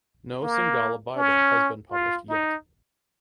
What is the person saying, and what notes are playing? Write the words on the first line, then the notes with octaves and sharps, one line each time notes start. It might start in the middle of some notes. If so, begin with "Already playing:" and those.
No Tshangla Bible has been published yet.
A#3
C#4
F4
D#4